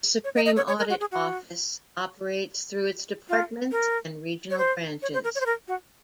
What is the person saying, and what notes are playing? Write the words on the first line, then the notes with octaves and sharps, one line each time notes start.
The Supreme Audit Office operates through its Departments and Regional Branches.
C#5
D#5
D#5
C#5
C#5
A#4
F#4
G#4
F#4
F4
A#4
C#5
C5
C#5
C5
A#4
C#5
C5
A#4
F#4